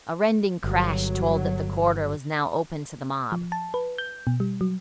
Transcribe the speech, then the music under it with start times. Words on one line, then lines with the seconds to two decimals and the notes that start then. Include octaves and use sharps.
A rending crash told that the corridor was now open to the mob.
0.64 G1 F#3
3.32 F3
3.52 A5
3.74 B4
3.98 G6
4.27 B2
4.40 G3
4.61 F#3